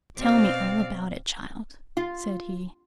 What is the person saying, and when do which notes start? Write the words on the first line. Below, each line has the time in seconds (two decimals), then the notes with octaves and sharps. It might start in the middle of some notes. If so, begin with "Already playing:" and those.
'Tell me all about it, child,' said he.
0.18 B2 C4 D5 F5
1.97 F4